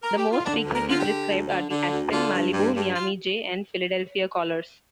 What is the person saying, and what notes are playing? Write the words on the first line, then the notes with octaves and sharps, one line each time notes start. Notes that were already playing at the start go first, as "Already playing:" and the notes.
The most frequently prescribed are the Aspen, Malibu, Miami J, and Philadelphia collars.
A#4
G4
F4
D3 D4
D2
A#4
D3 F4
G4
D3
D2
D3
D3
D2
D3 F4
G2
G2
G2
F4